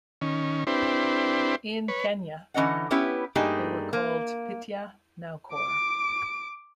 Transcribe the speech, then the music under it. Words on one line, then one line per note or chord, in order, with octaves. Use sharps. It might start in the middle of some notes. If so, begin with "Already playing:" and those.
In Quenya they were called "Pitya-naukor".
D#3 C#4
C4 D4 E4 G4 B4 C5
B4 C#5
D3 E3 C#4 D#5 F#5
B3 C#4 E4 G4 B4
G2 A3 A#3 D#4 G4 G#4
A#3
D6 D7